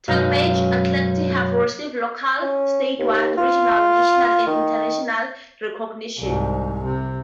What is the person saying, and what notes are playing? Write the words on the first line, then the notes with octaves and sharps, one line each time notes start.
Tallmadge athletes have received local, statewide, regional, national, and international recognition.
F#2 B2 G#3 C#4 F5
C#4
D#2
F4
D#3
C2 G#2
C3